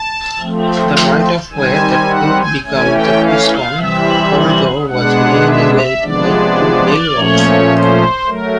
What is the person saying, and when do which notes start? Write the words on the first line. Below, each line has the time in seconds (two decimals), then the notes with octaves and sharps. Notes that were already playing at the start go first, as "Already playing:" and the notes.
The right-of-way that would become the Keystone Corridor was mainly laid by two railroads.
Already playing: A5
0.39 F3 A3 C4
1.52 D#3 G3 C4 G#5
2.09 F#5
2.37 G#5
2.64 E3 A3 C#4 G#5
2.92 G5
3.21 F5
3.49 F5
3.77 C3 E3 G3 C4 E5
4.89 B2 G#3 B3 D4 F#5
5.45 E5
5.74 E5
6.02 C3 F3 G#3 B3 D4 D5
7.14 A#2 F3 A3 C#4 C#5
7.70 C5
8.27 F#3 A3 A#4